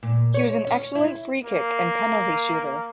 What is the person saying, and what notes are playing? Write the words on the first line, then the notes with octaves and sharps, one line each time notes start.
He was an excellent free kick and penalty shooter.
A#2
C#5
C#4
E4
A#3 A#4